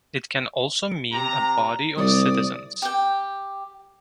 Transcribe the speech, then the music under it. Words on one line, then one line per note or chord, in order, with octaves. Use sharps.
It can also mean a body of citizens.
C3 A#5
C2 G3 D5 D#6
G4 G5